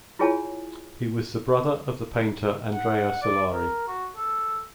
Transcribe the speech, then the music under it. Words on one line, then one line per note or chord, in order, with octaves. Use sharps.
He was the brother of the painter Andrea Solari.
E4 F4 G#4 C#5 G#5 A5
F#5
D5
A#4
F#4
A4